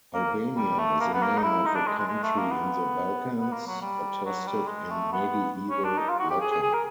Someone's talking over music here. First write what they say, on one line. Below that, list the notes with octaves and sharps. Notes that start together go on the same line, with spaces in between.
Albania is the name of a country in the Balkans, attested in Medieval Latin.
A#3
G3
A3
A#3
B3
A#3
D#4
E4
D#4
D4
G#3
G#3
G#3
A3
A#3
B3
B3
A#3
F#3
G3
F#3
G3
G#3
A3
B3
C#4
D4
D#4
F4
F#4
G4
G#4
G#4
G#4
A#4